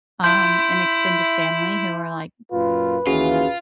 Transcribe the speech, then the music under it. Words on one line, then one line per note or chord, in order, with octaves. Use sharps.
um, an extended family who are like,
E4 C6 G6
F#2 A#2 F4 B4
D#2 E3 C#4 F4 F#4 G#4